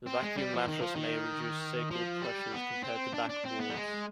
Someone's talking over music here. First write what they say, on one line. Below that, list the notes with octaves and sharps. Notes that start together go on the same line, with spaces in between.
The vacuum mattress may reduce sacral pressures compared to backboards.
C4
G#3
G3
F3
D#3
F3
D#3
F3
G3
B3
C4
D4
D4
C4
B3
G3
G#3